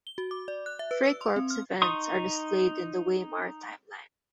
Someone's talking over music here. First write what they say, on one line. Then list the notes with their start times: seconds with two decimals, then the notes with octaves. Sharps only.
Freikorps events are displayed in the Weimar Timeline.
0.07 G7
0.18 F#4
0.31 D6
0.48 D5
0.66 F#6
0.79 E5
0.91 B4
1.04 E6
1.21 C6
1.36 C4
1.50 F6
1.82 D#4 C6 C#6 D#6